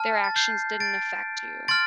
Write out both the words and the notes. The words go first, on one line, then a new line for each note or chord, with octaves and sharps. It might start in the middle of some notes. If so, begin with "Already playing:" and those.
their actions didn't affect you.
Already playing: A5 F6
A6
G6 C7
A6 D7
C6 F6 A6 D7